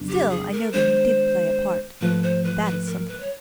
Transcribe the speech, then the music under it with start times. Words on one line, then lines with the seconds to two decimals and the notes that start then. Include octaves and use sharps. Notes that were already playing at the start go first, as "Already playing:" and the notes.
Still, I know that he did play a part, and that is something.
Already playing: F2 C#3 F#3 B3 D4
0.09 G4
0.30 G#4
0.52 A#4
0.73 D#3 G#3 B3 D4 C5
2.01 G#2 F3 A3 B4
2.23 C5
2.44 B4
2.65 B4
2.86 A#4
3.08 B4
3.20 C#5